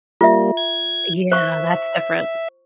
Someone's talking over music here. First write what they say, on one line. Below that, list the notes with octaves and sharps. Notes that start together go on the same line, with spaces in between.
Yeah, that's different.
G3 A#3 F4 E5
G#6
C5 E5 C#6